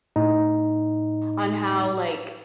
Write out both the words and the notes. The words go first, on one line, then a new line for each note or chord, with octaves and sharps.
on how like,
A2 D#4